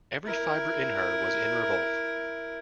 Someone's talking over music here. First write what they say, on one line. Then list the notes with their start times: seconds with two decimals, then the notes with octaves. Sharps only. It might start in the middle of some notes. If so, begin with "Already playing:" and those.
Every fibre in her was in revolt.
0.25 E4 A#4